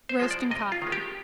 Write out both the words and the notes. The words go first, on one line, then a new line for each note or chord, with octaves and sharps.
Roasting Coffee.
C5
F3 G#3
D5
C3 D#5
F4
D#3 G#3
G4